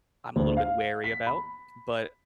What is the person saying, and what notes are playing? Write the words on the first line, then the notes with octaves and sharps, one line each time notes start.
I'm a little bit wary about, but
D2
F5
B6
B5